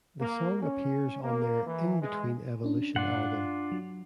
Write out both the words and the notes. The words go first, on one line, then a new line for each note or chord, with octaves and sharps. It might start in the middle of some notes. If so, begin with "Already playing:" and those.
The song appears on their "In Between Evolution" album.
A#3
C#4
A#3
E3
G#3
C#4 D4
G2 D4 F4 F#5
F#3